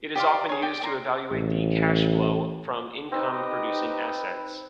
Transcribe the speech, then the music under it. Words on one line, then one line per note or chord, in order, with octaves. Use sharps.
It is often used to evaluate the cash flow from income-producing assets.
G4 D5 F5 C6
G#4 C#5
G4 D5 G5
D5 A#5 C6
A1
C4 D#4 G4 B4 D#5